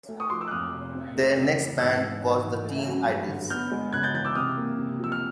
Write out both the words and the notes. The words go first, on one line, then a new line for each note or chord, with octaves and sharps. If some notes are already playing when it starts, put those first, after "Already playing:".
Their next band was The Teen Idles.
A3
C#6 D#6
F3 C6 D6
D6 E6
F#6
F2 D#6 F6
C3
C4
A3
C#3
E3
G#2 E6 F#6
G#3
G#2
E3
A3
F#3
G2
D3
B3 F6 G6
G#3
C#3 F#6 G#6
G6 A6
E3 G6 A6
D6 E6
C3 D#6 F6
A#3
C3
F3 E6
F6